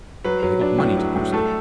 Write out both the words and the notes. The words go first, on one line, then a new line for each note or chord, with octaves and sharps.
"They got money to do so."
F#3 B4
F#3
D4
A2
F#3
A2
A3 A4